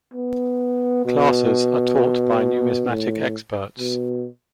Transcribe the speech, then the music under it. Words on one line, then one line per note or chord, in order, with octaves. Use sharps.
Classes are taught by numismatic experts.
B3
B2
A2
B2